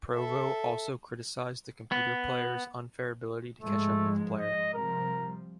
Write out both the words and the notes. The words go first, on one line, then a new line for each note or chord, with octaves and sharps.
Provo also criticized the computer player's unfair ability to catch up with the player.
A4 E5
B3
G#2 F3 G#3 A3
D#5
C3 F3 G3 A#4